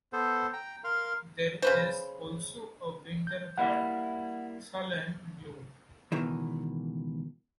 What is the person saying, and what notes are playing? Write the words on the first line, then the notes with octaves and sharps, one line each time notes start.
There is also a winterguard, "Salem Blue".
B3 A4 C5
G5 A#5
A#4 F5 C6 F6
C#3 B4 C5
G6
G3 A#3 E4 F#5
C#2 B2 D#3 E3